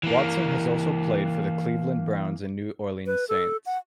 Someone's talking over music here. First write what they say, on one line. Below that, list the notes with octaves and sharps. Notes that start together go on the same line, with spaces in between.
Watson has also played for the Cleveland Browns and New Orleans Saints.
E3 A#3
B4
A4
F#5